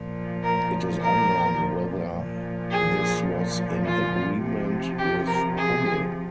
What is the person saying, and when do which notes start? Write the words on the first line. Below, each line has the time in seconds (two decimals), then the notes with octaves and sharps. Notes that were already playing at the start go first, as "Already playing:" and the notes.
It is unknown whether this was in agreement with Hummel.
Already playing: A#2 F3
0.43 A#4
0.99 A#4
2.13 A#2 F3
2.70 G#4
3.84 F4
4.41 C3 F3
4.98 G4
5.26 A#4
5.55 G#4